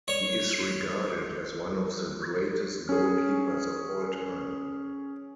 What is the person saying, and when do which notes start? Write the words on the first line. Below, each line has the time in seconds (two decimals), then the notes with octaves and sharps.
He is regarded as one of the greatest goalkeepers of all time.
0.08 C#5
2.89 C#4 G#4